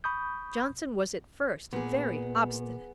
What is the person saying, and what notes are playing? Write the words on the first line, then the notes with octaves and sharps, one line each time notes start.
Johnson was at first very obstinate.
B5 C#6 D#6 G6
A#2 B3 G#4